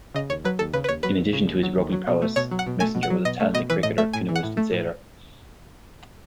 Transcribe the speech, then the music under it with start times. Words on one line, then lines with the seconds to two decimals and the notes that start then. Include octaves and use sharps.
In addition to his rugby prowess, Messenger was a talented cricketer, canoeist and sailor.
0.14 C#3 D#5
0.29 D#2 C#5
0.45 F#3 B4
0.59 D#2 A4
0.73 C#3 B4
0.84 B4
0.89 D#2 C#5
1.03 F#3 B4
1.18 D#2
1.33 C#3
1.47 D#2
1.63 F#3
1.78 D#2
1.92 F#3
2.07 B2
2.22 A3
2.36 B2 C#5
2.51 F#3
2.59 F#5
2.66 B2
2.80 A3 G#5
2.95 B2
3.03 F#5
3.10 F#3
3.25 B2 D#5
3.40 A3
3.54 B2 D#5
3.70 E3 B4
3.83 A2 D#5
3.98 A3 E5
4.13 A2 G#5
4.29 E3
4.36 F#5
4.43 A2
4.57 A3
4.72 A2